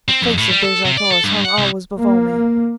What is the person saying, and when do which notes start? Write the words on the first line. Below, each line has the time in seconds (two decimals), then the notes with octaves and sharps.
The face of Dejah Thoris hung always before me.
0.08 C4
0.22 F2
0.38 A2
0.51 G3
0.63 A4
0.85 C3
0.97 D5
1.11 A4
1.24 G2
1.45 F#5
1.58 C2
1.96 A#3